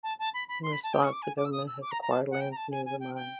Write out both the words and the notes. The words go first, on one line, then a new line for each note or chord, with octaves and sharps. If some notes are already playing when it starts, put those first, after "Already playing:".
In response the government has acquired lands near the mine.
A5
A5
B5
B5
C6
B5
A5
G5
C#6
D6
G#5
D6
E6
D#6
E6
D6
A#5
A#5
A5
F#5
G5
A#5
A5
G#5
G#5
G5
G5